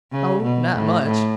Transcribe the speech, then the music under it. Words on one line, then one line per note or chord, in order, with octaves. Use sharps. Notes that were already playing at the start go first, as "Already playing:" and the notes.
Oh, not much.
C#3
B2
A2
A2